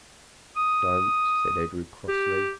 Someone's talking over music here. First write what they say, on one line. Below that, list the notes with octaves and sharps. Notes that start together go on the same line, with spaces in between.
"Don't!" said Edred crossly.
D#6
G4